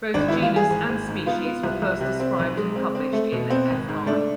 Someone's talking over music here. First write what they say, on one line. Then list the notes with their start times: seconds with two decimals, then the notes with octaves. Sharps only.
Both genus and species were first described and published in Fl.
0.14 G#1 D4
0.28 E4
0.33 E3
0.42 F4
0.52 E3 G#4
0.70 G#1
0.89 G#1
1.08 G#2
1.26 B3 F4
1.45 B3
1.63 C2
1.82 C2
2.01 C3
2.20 C4
2.39 B1
2.57 G#3
2.76 C4
2.95 C4
3.13 A3
3.32 B2
3.50 B3 C4
3.70 G#1
3.89 G#2
4.06 A3 D4